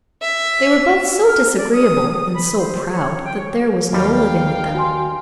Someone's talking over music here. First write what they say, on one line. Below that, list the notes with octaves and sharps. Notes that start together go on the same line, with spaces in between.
They were both so disagreeable, and so proud, that there was no living with them.
E5
F6
D5
D#6
D#6
B5
C5
C#5
G5
C#5
D#2 G3 F5 G5
F#4 G#5 C6